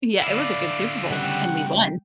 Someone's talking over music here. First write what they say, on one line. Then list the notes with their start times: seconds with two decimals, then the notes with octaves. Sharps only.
Yeah, it was a good Super Bowl, and we won.
0.23 D3 E4 D5 F5
1.11 C#3 G3 F#5 G5